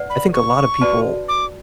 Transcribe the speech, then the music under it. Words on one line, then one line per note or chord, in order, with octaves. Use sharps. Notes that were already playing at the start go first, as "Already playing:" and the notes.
I think a lotta people,
Already playing: B4 D5 F#5
B5
C#6
F#4 B4 D5 A5
D6